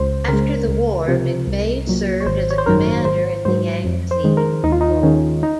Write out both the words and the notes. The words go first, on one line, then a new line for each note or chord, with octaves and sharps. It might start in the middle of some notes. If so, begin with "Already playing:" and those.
After the war, McVay served as a commander in the Yangtze Patrol.
Already playing: C#2 C5
C#3 G#3 A#4
C#2
C3 F3
C2
A#2 F#3
C#5
G#1 C5
C#5
C5
F#2 D#3 F#3 A#4
G#1 C5
G#2 F#3 C5
F2
C5
D#3 G#3
A#4
D#2 D#4
F4
D#4
D#3 G#3 C#4
D#4